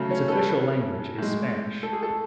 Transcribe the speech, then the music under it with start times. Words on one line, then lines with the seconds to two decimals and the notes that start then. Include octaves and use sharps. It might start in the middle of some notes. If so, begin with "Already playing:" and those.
Its official language is Spanish.
Already playing: C#3 F#3 A3
0.11 C#4
0.28 A4
0.32 B4
1.18 A2 G#3
1.83 A4
1.93 G#4
2.03 A4